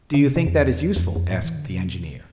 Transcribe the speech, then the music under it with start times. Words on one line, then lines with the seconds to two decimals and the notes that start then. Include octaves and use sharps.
"Do you think that is useful?" asked the engineer.
0.14 D3
0.25 C3
0.36 C3
0.47 F2
0.58 E2
0.96 E2
1.01 F2
1.16 F2
1.31 A2
1.45 E3
1.56 D3
1.67 B2
1.78 C3
1.89 B2
2.03 C3